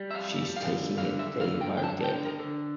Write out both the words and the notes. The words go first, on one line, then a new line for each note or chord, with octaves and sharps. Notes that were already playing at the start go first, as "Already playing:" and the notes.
She's taking it day by day.
Already playing: G3
E5
F2 F5
G3
F5
D3
D3 F5
E5
D3
F5
D3
G5
G5
D3 A5
G5
D3
A#4
D3